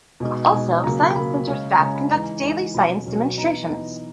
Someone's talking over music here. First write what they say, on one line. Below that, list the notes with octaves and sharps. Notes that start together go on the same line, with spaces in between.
Also, Science Center staff conduct daily science demonstrations.
B2 G#3 D#4
B2 G#3 D#4
C#3 F#3 A#3 A#5
B5
C#3 F#3 A#3 B5
C#3 G#3 C#4
C#3 G#3 C#4 A#5
B5
E3 G#3 D#4 A#5
E3 G#3 D#4
B2 F#3 C#4 B5
B2 F#3 C#4
E3 B3 D#4 A#5
E3 B3 D#4